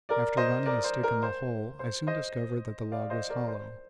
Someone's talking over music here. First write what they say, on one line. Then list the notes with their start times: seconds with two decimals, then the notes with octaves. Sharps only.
After running a stick in the hole I soon discovered that the log was hollow.
0.09 A#4 D5
0.37 C5 D#5
0.66 A#4 D5
0.84 C5
1.03 A#4
1.23 C5
1.79 C5
2.07 C5 D#5
2.92 D5 F5
3.10 C5 D#5
3.30 A#4 D5
3.48 C5